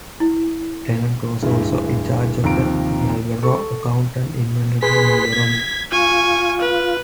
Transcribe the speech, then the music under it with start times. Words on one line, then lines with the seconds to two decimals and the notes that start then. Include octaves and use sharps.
Tennant was also in charge of the Marlboro account and invented the Marlboro Man.
0.20 E4
1.42 D1 G2 G#3 E4
2.44 D#2 C3 F3 D#4 A#5 D7
3.43 A4 C#6
4.83 G#4 B4 C6 B6
5.33 G#6
5.92 F4 G#5 C#6
6.62 B4